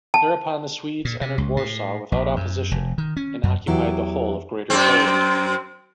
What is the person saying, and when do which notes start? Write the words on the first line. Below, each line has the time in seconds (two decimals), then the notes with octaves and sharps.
Thereupon the Swedes entered Warsaw without opposition and occupied the whole of Greater Poland.
0.14 A5
1.05 A#2
1.21 C3
1.38 C#2
1.57 A2
2.12 A#1
2.36 F#2
2.71 F1
2.98 D#3
3.17 C#4
3.43 F#2
3.67 E2 F#3 E4 G4
4.70 F#2 C4